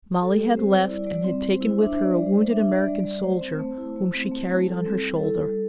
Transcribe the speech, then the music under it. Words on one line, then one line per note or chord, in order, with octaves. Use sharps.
Molly had left and had taken with her a wounded American soldier whom she carried on her shoulder.
A4
G3 G4
C4
C5
G3
D5
E4
G3 D5
C4
G3
C5
E4
D4 E5
D4 C5
D5
G3
C5
G3
D4 E5
D4
D5
G3
D5
G3
A3 C5
C4
A3
E4
A3
C4
A3
E4
G3 A4
C4
G3
A4
E4
G3